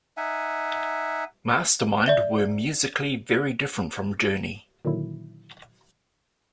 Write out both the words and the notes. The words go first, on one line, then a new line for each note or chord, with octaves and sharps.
Mastermind were musically very different from Journey.
D#4 E5 F#5 G#5
D5 E5 G7
A#2 D3 D#3 F#3 E4